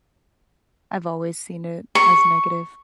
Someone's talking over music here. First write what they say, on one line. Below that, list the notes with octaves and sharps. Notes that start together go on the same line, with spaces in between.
I've always seen it as negative,
C#6